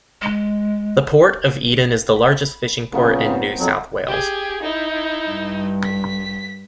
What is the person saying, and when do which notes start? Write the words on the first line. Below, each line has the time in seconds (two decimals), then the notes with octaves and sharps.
The Port of Eden is the largest fishing port in New South Wales.
0.22 G#3
2.16 B5
2.92 A#2 C#3 F#3 B3
3.26 C4 D#4
3.59 F2 F#3
4.08 G4 G#4
4.63 D#4 E4
5.30 G2
5.84 B6